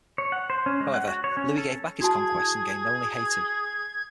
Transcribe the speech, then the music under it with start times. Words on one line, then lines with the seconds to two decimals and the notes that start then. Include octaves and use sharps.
However, Louis gave back his conquests and gained only Haiti.
0.18 C#5
0.32 F#5
0.50 C5
0.66 C#4
0.81 G#3
0.94 F#5
1.08 F#4
1.24 C#5
1.37 C#4
1.58 A4
2.00 E4 F#4 G#4 A5 G#6